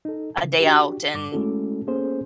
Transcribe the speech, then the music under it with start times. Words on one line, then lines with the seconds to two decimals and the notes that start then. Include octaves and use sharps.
a day out, and
0.05 D#4 A4
0.43 C#3
0.60 D4 F#4 G4
1.14 G2 D6
1.32 G#3 A3 C#4 E4 F#4 A4
1.87 A#3 B3 C#4 G#4 A4 C5